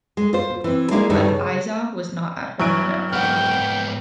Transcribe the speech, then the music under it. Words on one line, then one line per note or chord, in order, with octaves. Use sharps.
But Aizah was not at her window.
G#3
F4 C5
E3 C4
G#3 A#3 D4 E4 F#4 G#4
D2 G2 D#3 E3 G3 A3
C#3
G2 F#3 E4 G#5 D7
G#2 B3 F#5 G5 F6